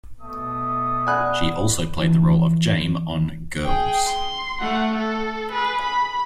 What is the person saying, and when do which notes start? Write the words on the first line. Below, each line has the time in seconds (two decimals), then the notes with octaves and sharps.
She also played the role of Jame on "Girls".
0.22 B2 A3 D#6
1.07 D5 F#5 G#5 B5 F#6
1.98 E3 F3
3.64 G#4 G5
4.07 C6
4.61 A3 F#5
4.96 A4
5.50 G#4 B4
5.82 B5